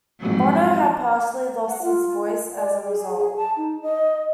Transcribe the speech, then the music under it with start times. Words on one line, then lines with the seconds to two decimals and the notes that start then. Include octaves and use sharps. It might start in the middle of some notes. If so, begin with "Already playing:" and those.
Bono had partially lost his voice as a result.
0.20 F2 G#2 F#3
1.68 F#5
1.83 F4
2.55 D5
2.87 G#4
3.18 G#4
3.37 A5
3.57 D#4
3.82 D#5